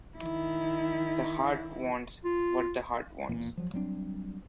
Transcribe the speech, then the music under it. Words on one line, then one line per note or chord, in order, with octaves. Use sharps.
The heart wants, what the heart wants.
D#3 E4
F4
D1 E2 A#2 A#3
F3 F#3
F#3 G3 C4 D4